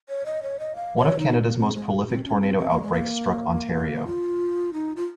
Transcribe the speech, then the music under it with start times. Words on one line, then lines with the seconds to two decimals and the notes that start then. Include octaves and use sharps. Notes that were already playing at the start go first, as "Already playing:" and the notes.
One of Canada's most prolific tornado outbreaks struck Ontario.
0.09 C#5
0.26 D#5
0.43 C#5
0.59 D#5
0.76 F5
0.97 C#5
1.19 D#4
1.42 A#3
1.58 C4
1.74 G#3
2.08 C4
2.24 C#4
2.41 C4
2.58 C4
2.70 A#3
2.82 G#3
2.93 A#3
4.07 F4
4.73 D#4
4.96 F4